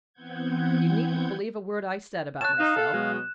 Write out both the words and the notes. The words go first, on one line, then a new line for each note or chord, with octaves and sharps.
You needn't believe a word I said about myself.
E3 B3 C4 F#5 G6 G#6
C#5 A5 F#6 E7
D#4 F5
A4
B2 F#3 G#3